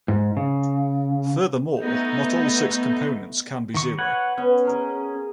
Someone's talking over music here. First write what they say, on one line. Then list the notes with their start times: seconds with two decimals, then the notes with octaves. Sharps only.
Furthermore, not all six components can be zero.
0.08 G#2
0.37 C#3
1.81 A3 B3 D#4
3.74 D#3 C#6
3.98 B4 C#5 F#5
4.38 B3 C#4
4.65 G#4 A#4 D#5